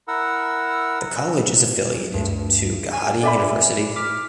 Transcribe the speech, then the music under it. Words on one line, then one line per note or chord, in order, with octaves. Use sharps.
The college is affiliated to Gauhati University.
E4 A#4 F#5 E6
D2 G2
G#5
D5 E5 B5
D6 F6 B6